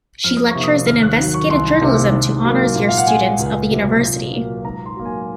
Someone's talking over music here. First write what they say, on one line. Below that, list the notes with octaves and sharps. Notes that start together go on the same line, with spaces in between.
She lectures in investigative journalism to honours year students of the University.
F2 F6
D#6
C#6
C3 D#3 A#3
D#6
D#2 F6
F#6
D#3 F#3
C#6
C2 C6
C3 D#3 A#3
G#2
F#3 A#3
A#2
F5
F#5
G#3 G#5
C#2
C3 F#3
A#2
F#3 A#3
G#2 A#5
C6
F#3 A#3
G#5